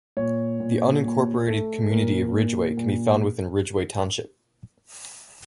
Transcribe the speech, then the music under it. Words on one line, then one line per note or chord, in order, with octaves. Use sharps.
The unincorporated community of Ridgeway can be found within Ridgeway Township.
A#2 C#5
A#2
A#2
A3
A#2 A#4
A#2
A#2